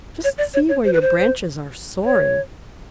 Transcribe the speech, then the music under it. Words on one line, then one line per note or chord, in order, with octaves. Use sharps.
Just see where your branches are soaring.
C#5
D5
C#5
C#5
C5
B4
C5
C#5